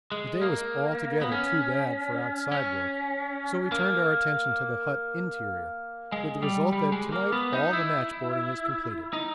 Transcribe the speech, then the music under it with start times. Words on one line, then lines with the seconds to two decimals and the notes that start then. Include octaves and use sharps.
The day was altogether too bad for outside work, so we turned our attention to the hut interior, with the result that to-night all the matchboarding is completed.
0.12 G#3
0.42 A#3
1.21 B3
1.32 C#4
2.52 C#4
3.72 A#3
6.12 G#3
6.42 G3
6.73 G3
6.92 G#3
7.12 A#3
7.32 B3
7.53 D#4
7.73 E4
9.13 D#4